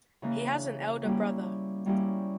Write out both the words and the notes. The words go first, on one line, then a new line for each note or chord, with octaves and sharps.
He has an elder brother.
C#3 E3 A#3
G3 A#3 C#4 E4 G4
G3 A#3 C#4 E4 G4